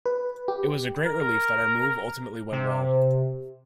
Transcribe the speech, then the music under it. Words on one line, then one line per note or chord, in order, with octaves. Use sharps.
It was a great relief that our move ultimately went well.
B4
G4
A#4
C3